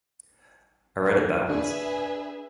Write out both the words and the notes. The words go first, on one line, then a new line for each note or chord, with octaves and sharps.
I read it backwards.
D4 G#4 B4 E5